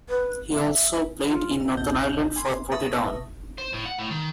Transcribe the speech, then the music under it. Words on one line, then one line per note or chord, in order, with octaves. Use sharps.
He also played in Northern Ireland for Portadown.
B4
E5
F4
G#1 C#2 B2 D#5 A5 G6
G#5 B5 C6
B4 E5 A5 C#6 D#6 A#6
C5
A2
F#5
A2
D#3